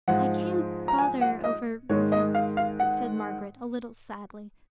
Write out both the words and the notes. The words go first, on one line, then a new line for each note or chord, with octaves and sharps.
"I can't bother over results," said Margaret, a little sadly.
G#2 F3 G#3 F#5
A#5
G#5
F#5
D#5
G#2 D#3 G#3 C#5
D#5
F5
F5
F#5